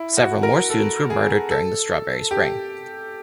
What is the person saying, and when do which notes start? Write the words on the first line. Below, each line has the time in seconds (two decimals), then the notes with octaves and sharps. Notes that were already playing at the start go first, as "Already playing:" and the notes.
Several more students were murdered during the strawberry spring.
Already playing: E4
0.17 F#4
0.43 A#4
0.70 A4
1.10 G#4
1.51 A4
2.31 G4